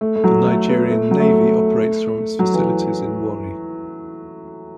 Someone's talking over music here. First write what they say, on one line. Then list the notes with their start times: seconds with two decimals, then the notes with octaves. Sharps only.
The Nigerian Navy operates from its facilities in Warri.
0.01 A3
0.16 A3
0.24 F#3
0.46 A3
0.68 B3
0.90 A3
1.11 F#3
1.20 A3
2.39 F#3
2.54 E3